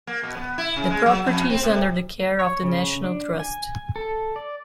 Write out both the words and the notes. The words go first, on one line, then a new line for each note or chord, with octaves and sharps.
The property is under the care of the National Trust.
A#3
B2
B3
E4
C#3
G#3
F#3
F2
C4
C3
C#5
C#3
D4
G#5
A4
D5